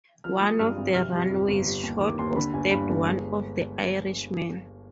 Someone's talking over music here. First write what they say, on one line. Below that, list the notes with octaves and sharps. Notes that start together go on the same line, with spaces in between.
One of the runaways shot or stabbed one of the Irishmen.
F3 F6
G#3 D#6
G2 F6
G#1
C3 F6
G3
F2
G1
G3
D#2
D#3 D6
D#2 C6
D3 B5
G1 G#5
G2 B5
G1
G#3